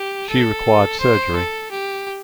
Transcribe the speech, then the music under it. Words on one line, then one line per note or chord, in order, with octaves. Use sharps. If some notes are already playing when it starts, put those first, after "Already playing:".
She required surgery.
Already playing: G4
A4
C5
A4
G4